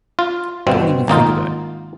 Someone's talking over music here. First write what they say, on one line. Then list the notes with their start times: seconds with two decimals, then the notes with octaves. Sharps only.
Don't even think about it!
0.19 F4
0.67 G1 B2 C4
1.08 G#1 A#3 D#4 F4